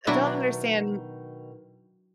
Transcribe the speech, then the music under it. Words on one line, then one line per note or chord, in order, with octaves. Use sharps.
I don't understand
B2 D#3 F#3 D4 E4